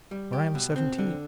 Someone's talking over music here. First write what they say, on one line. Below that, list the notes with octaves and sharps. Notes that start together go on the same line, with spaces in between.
When I am seventeen.
G3
G4
B2
C4
D3